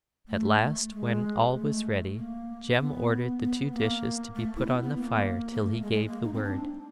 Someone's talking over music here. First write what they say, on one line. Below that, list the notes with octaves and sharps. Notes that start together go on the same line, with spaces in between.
At last, when all was ready, Jem ordered the two dishes to be put on the fire till he gave the word.
A3
G#3
A3
A#3
B3
B3
A#3
A3
E4
B3
B3
A#3
A#3
A3
A3
G#3
G#3
A#3
D#4
C4
D4